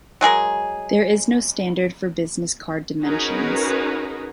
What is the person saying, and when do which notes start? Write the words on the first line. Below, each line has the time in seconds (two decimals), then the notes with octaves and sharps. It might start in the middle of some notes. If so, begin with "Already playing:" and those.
There is no standard for the business card dimensions.
0.21 F#3 G#3 G#4 A#4
3.02 C#4 D#4 F#4 G#4 A#4 B4